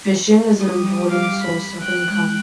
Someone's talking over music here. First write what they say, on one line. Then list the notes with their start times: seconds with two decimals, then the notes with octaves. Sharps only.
Fishing is an important source of income.
0.60 G3 G4 D#6
1.09 F5 D6
1.42 B5
1.80 G5 F#6
2.08 G#3